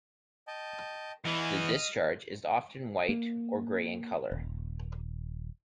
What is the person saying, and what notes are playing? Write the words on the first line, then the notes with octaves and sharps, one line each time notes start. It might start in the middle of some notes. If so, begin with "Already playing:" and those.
The discharge is often white or gray in color.
D#5 G5 A5
E2 E3 D#5 D#6 F6
A#3
D#1